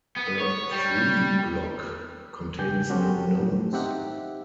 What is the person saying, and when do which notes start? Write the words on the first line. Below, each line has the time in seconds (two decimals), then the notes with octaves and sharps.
A "free" block contains no nodes.
0.16 B3
0.40 C#5
0.71 G3
2.58 C#3 G4 G#5 G6
2.90 B3 C#4 F#4 G4 A4 C5
3.39 A2
3.73 C4 D#4 G4 E5 F#5